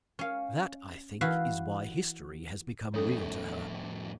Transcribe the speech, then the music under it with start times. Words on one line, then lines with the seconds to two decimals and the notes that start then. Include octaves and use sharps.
That I think is why history has become real to her.
0.19 C#4 F5
1.21 E3 F#4 E5 F5
2.94 F2 A2 C#4 A4 C#5